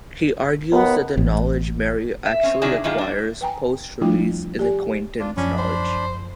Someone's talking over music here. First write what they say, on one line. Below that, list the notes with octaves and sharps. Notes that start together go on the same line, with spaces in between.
He argues that the knowledge Mary actually acquires post-release is acquaintance knowledge.
D#2 B3
A1
E5
C4 C#4
C3 D#3 F#3 D4 E4 G#4
A2 D#3 G3 E4 F4 G#4
D4 F#4
B4 G5 G#5 A#5
F3 G3 A3 D4 E4 F4
G4 D5 G#5
D4 F4
F#2 F3 C#4 D4 B5
C5